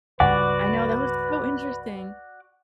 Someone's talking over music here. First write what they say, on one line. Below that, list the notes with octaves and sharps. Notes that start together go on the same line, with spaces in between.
I know that was so interesting.
C#2 G2 F#4 B4 D5 F#5